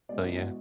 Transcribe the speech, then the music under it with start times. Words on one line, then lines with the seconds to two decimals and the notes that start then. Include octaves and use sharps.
So, yeah.
0.09 B2 G#3 B3 D5
0.24 E4
0.39 F#4